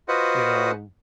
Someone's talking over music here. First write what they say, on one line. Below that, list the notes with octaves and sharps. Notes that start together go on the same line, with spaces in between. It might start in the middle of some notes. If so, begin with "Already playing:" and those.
you know,
F4 F#4 B4 C5 D#5 F#5